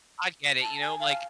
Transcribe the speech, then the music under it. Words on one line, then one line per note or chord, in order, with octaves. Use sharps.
I get it, you know? Like,
A5
G#5
F5